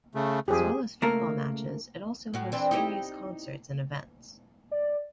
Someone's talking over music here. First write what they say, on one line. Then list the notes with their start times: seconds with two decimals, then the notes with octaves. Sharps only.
As well as football matches, it also hosts various concerts and events.
0.15 C#3 A3
0.48 F2 G4 G#4
1.02 C#2 A3 A#3 A#4
2.34 A2 F#4
2.52 E3 C4 D4
2.71 D#4 E4 G4
4.71 D5